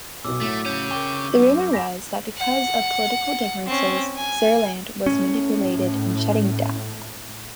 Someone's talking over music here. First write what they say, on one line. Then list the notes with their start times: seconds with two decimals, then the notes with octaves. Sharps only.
The rumour was that because of political differences Surland was manipulated in shutting down.
0.25 B1 B2 D6 E6
0.41 A2 F#3 A3 F#5 B6
0.66 C#3 C#4 G6
0.91 A#4 G5 C#6 D6 G7
1.35 F#2
1.73 G#5 B5 A#6 B6 E7
2.37 F#5
3.66 C4 C#4
4.16 G#5
5.06 A2 C#4